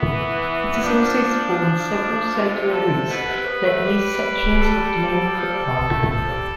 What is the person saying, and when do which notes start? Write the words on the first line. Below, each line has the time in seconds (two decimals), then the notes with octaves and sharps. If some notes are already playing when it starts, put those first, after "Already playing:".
It has also spawned several circular routes that use sections of the main footpath.
Already playing: E3 B3
0.83 F3 D4
2.34 C3 F4
2.59 C3
2.72 A4
2.77 D3
2.84 C3
3.09 B2 B4
3.28 C3
3.47 B3
3.65 A3
3.84 G3
4.60 A4
5.35 F3
5.53 G3
5.72 B3
5.91 A3
6.10 F3 A4
6.29 G3